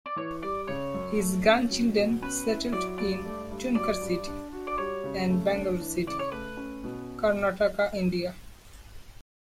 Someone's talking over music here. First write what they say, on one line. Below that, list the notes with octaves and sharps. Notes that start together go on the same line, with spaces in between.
His grandchildren settled in Tumkur City and Bangalore City, Karnataka, India.
D5
E3 C#5
G3 D5
C#3 C#5
F#2
A3
C#4
F#3
B2
C#4 B4
E4
F#3 D5
G2 D5
A3
G2
F#3 D5
G2
D4
F#4
D5
G3 C#5
C#3
A3
D4
E3
C#3 D5
C#5
A3 B4
C#4
B2